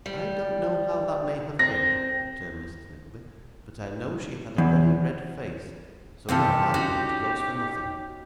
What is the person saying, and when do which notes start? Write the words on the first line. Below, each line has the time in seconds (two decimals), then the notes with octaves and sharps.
'I don't know how that may have been,' returned Mrs Nickleby: 'but I know she had a very red face, so your argument goes for nothing.'
0.06 G3
1.59 C4 A#6
4.58 E2
6.29 G2 C3 E3 C4 F4 G4 A4
6.74 C#4 D#4 F#4